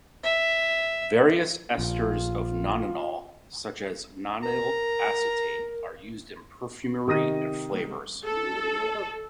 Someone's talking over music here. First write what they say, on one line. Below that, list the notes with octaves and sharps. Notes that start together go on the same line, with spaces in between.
Various esters of nonanol, such as nonyl acetate, are used in perfumery and flavors.
E5
A#1 F4
A#4 A#5
C3 D#3 D#6 A#6 D#7
A4